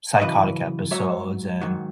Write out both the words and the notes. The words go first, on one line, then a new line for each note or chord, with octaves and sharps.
psychotic episodes, and
F#2 C#3 E3 B4 D#5
G#2 F#3 C#5 E5
G#2 D#3 F#3